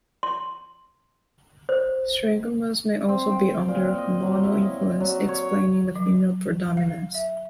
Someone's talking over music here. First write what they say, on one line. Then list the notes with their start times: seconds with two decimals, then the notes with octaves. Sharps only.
Syringomas may also be under hormonal influence explaining the female predominance.
0.23 C6
1.69 C5
3.09 C4
3.31 G5
3.68 A#2
3.98 D#5
4.22 F#3
4.44 E4
4.62 D#5
5.00 F#3
5.29 C#5
5.96 F#3
6.77 F5
7.14 E5